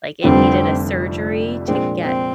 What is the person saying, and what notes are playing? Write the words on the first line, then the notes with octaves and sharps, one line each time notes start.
Like, it needed a surgery to get
F1 F2 D3 G3 C4 D4
A#2 F3 G#3 C4 D4
C4